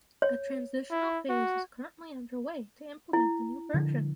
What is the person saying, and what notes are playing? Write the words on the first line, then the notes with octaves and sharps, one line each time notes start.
A transitional phase is currently underway to implement the new version.
C#5
E4
F#4
E4
D3 F3